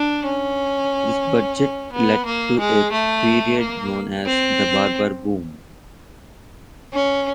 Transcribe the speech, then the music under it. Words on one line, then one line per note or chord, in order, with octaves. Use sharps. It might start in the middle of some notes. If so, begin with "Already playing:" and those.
This budget led to a period known as "The Barber Boom".
Already playing: D4
C#4
C#4
B3
A#3
G#3
A3
A#3
C4
C#4